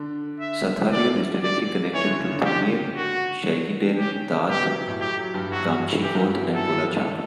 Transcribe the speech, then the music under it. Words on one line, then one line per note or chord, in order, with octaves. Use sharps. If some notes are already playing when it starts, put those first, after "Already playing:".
Sathariel is directly connected to Thamiel, Chaigidel, Da'at, Gamchicoth and Golachab.
Already playing: D3 D4
E5
E3 E4 D5
F#3 F#4
G3 G4
G3 G4
D5
E3 E4 C#5
D3 D4
C#3 C#4
D3 D4
D3 D4 G4
F#4
C#3 C#4 G4
B2 B3 G4
F#3
F#3
A2 A3
F#3 G4
F#3
G2 G3
F#3 F#4
E3 G4
G2 G3
F#3 F#4
E3 E4
F#3 F#4 A4
A3 A4